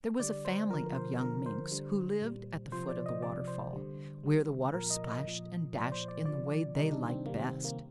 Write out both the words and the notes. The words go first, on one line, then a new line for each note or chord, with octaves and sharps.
There was a family of young Minks who lived at the foot of the waterfall, where the water splashed and dashed in the way they liked best.
D3 G3 D5
C5
D3 F3 A#4
C5
D3 F3 A#4
C5
D3 G3
A#2 G3
C3 F3 C5
D5
D#5
C3 F3 D5
C5
D3 G3
D3 G3
A#2 F3 A#4
D#5
D#5
A#2 F3
A#2 F3 D5
C5
D5
D3 F3 D5
D5
C3 D#3 G3 D#4
D4
C4
C3 D#3 G3 A#3
C4
C4
A#3